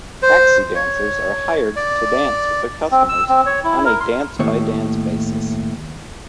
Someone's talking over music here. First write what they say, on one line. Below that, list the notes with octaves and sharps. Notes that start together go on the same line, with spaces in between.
Taxi dancers are hired to dance with their customers on a dance-by-dance basis.
C5
C#5
D5
C4
E6
C4
C#5
E4
A#4
C6
D#2 A2 C#5